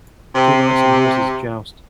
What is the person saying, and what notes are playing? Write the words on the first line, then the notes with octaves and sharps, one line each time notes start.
Two knights on horses joust.
C3